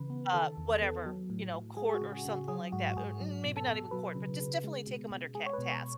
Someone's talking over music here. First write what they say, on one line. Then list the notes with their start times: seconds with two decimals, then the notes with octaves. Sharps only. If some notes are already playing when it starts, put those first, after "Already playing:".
uh, whatever, you know, court or something like that, or, um, or maybe not even court, but just definitely take them under cat task.
Already playing: C#3 E3 B4
0.10 B3
0.34 D#3 A4
0.57 E2
0.81 B3
1.06 F#3
1.30 A2
1.53 A2
1.77 G#3 G#4
1.89 G#4
1.94 F#4
2.01 C#3
2.12 G#4
2.25 C#3 F#4
2.48 F#3 G#4
2.72 G#2 F#4
2.91 F#4
2.96 G#2 G#4
3.20 F#3
3.44 B2
3.56 A4
3.68 B2
3.91 F#3 B4
4.15 C#3
4.40 C#3
4.64 G#3
4.87 B2
5.11 B2
5.34 G#3 G#4
5.46 C#5
5.53 B4
5.58 B2
5.71 C#5